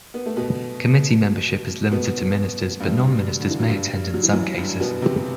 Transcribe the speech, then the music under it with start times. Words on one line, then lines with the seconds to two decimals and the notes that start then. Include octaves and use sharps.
Committee membership is limited to ministers, but non-ministers may attend in some cases.
0.14 B3
0.26 A3
0.36 B2 B3
1.91 B2 B3
2.80 G2 G3
3.40 D3
3.50 E3
3.59 F#3
3.69 G2 G3
4.14 F#3
4.23 E3
4.33 F#2 F#3
4.57 G2 G3
4.80 B2 B3
5.02 C3 C4